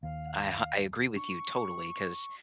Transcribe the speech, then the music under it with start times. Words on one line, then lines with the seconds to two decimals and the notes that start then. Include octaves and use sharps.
I h I agree with you totally 'cause,
0.03 D#2 F5
1.16 D4 C#6